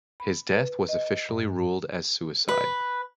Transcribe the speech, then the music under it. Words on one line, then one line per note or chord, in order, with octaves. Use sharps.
His death was officially ruled as suicide.
B5
B4
D#5
G2
B4